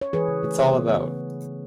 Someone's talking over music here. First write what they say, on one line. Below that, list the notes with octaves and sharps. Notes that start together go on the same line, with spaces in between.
It's all about.
C#5
E3 G#4 B4
C#3
A3
C#3
B3
E3
E3